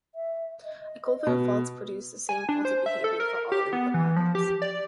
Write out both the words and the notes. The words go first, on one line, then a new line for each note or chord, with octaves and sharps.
Equivalent faults produce the same faulty behavior for all input patterns.
E5
D#5
B2
G#5
D4
C5
E5
A4
A#4
G4
B3
E3
F3
G4
D5